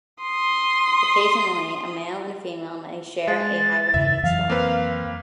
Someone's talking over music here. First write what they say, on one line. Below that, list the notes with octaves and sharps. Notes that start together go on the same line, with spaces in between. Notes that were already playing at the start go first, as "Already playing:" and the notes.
Occasionally a male and female may share a hibernating spot.
C6 D#6
G#3 A6
E2 G2 C#3 E5
F2 E3 F#3 F5
A#3 C4 B4